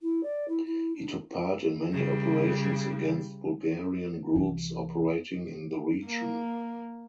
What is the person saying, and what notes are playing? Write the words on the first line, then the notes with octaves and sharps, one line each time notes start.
He took part in many operations against Bulgarian groups operating in the region.
E4
D5
E4
E4
D4
C#3 G3
C2 E3
A#3